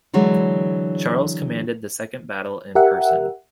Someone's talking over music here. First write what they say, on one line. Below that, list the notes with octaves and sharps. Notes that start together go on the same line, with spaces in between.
Charles commanded the second battle in person.
D3 E3 F#3 G#3
G4 A#4 E5 F#5